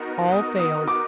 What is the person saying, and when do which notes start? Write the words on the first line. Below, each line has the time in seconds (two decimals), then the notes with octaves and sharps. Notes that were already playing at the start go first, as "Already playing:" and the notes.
All failed.
Already playing: B3 D#4 F#4 A#4
0.32 D#6
0.59 D#6
0.88 D6